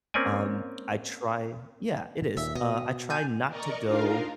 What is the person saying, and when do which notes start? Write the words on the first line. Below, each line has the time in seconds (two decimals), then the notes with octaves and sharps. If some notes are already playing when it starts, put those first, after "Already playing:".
Um, I try Yeah. It is. Uh, I try not to go
0.14 A#3 C4 C#4 D5 G#5
2.37 D#2 A#2 E5
2.55 B2 D#5
3.10 D4 G#5 G6
3.48 A#4 D5 D#5 A#5 C#6
3.86 D4 D#4 F4 A#4 F5 A#5